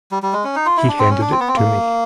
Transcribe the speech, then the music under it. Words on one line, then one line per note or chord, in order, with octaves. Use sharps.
He handed it to me.
G3
G3
G#3
C#4
D#4
F4
E4
D4
C4
C#4
D4
C4
B3
C4
A#3